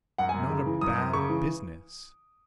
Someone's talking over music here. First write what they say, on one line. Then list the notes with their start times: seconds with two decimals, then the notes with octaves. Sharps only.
"Not a BAD business?"
0.18 F#2 F#5
0.29 G#5
0.34 F#2
0.50 C#3
0.66 E3
0.81 F#2 D#6
0.98 F#2
1.13 C#3 C#6
1.29 E3